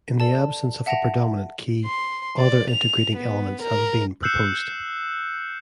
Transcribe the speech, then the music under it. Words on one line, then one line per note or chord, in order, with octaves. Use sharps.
In the absence of a predominant key, other integrating elements have been proposed.
A4 D5 A5
A5
E5 F#5 A5 A#6 D7 F7
C6
D5
F7
B3
A#4
E6 F#6 G6 C7 C#7 E7